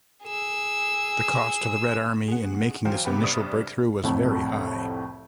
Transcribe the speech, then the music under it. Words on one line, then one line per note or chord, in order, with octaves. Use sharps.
The cost to the Red Army in making this initial breakthrough was very high.
G#4 E6
G#4 F#5
E2 F#3 C5 F5 G5
C3 A#3 B3 G4 B4 B5
G2 C3 D5 C#6 D#6
C2 F2 A2 C3